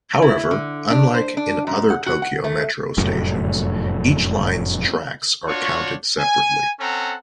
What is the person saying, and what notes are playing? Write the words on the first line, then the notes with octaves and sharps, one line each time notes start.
However, unlike in other Tokyo Metro stations, each line's tracks are counted separately.
E4
D3
D4
C5
D4
F#2
F#5
F#4
F#5
A3
F1 F#2 A2
D4 F4 F#4 C#5 C#6
G#5
C4 C#4 A4 F#5 A#5